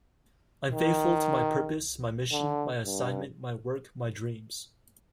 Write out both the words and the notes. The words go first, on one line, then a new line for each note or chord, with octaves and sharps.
I'm faithful to my purpose, my mission, my assignment, my work, my dreams.
D#3
D3
G2